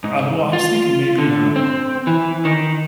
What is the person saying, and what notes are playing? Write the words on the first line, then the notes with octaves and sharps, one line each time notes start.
I well, I was thinking maybe, um,
G#2
F4
D3
C4
E3
D#3